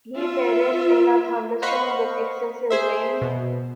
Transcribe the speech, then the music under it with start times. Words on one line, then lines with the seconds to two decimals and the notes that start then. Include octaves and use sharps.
He perished in a thunderstorm with excessive rain.
0.16 F4 E5
1.62 C5 D#5 F5 F#5 B5 C#6
2.70 G#4 C5 E5
3.22 B2